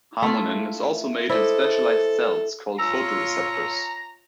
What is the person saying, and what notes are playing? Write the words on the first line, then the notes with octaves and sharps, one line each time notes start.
Harmonin is also made in specialized cells called photoreceptors.
A3 E4 F4
E4 A4 C5 D5 D#5
F4 C#5 A#5 E6